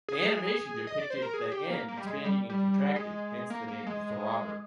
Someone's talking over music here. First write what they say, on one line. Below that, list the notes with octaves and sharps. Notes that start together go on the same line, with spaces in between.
The animation depicted the "N" expanding and contracting - hence the name "throbber".
G#4
D#5
D5
C5
A#4
G#4
G4
A#3
A#3
G3
G#3
G3
G3
G#3
A#3
A#3
G#3